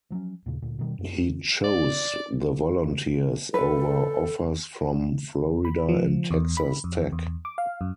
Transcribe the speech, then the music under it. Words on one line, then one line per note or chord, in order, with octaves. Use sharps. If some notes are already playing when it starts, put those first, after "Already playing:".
He chose the Volunteers over offers from Florida and Texas Tech.
F3 F#3 A#3 C#4
D#2 A#2 C#3
D2 A#2
B2 D#3 G3
F#2
D5
A4 B4
B5
F3
E2
B5
F2
E2
D6
F5
F#2